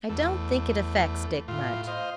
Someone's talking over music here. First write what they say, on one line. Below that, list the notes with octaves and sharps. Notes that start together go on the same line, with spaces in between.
'I don't think it affects Dick much.
E2 A3
A2 F4
C5 D#5 F5